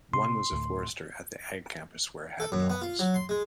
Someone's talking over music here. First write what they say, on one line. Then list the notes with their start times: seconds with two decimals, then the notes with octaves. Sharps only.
One was a forester at the Ag campus where I had an office.
0.13 C3 C6
0.52 D2 A2
2.40 A4
2.52 F#2
2.70 B3
2.81 F4
2.99 F#3
3.14 C6
3.29 G#3